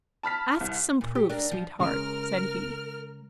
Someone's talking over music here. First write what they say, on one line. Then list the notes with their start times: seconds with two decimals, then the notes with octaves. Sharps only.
'Ask some proof, sweetheart,' said he.
0.23 A5 B5 F6 B6
0.61 C2
1.01 A#2
1.15 G4
1.29 D4 A#4
1.51 F3
1.80 C#3 G#3 A#4 F6